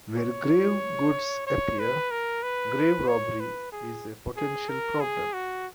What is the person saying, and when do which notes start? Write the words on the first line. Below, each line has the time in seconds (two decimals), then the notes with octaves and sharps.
Where grave goods appear, grave robbery is a potential problem.
0.18 C#5
1.47 C#5
1.79 B4
2.11 A#4
2.43 B4
3.08 C#5
3.40 B4
3.72 G#4
4.37 G#4
4.69 A#4
5.01 G#4
5.33 F#4